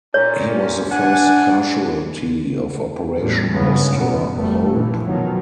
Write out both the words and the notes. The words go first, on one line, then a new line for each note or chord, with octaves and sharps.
He was the first casualty of Operation Restore Hope.
A#2 C#4 C#5
D4 F#5 G#5
E2 A2 G3
F#1 G2 C#3 G#3 B3 C#4
F#1 B2 E3 B3
F1 F#3 G3 A3
A#2 E3 F3
B2 D#3 F3 F#3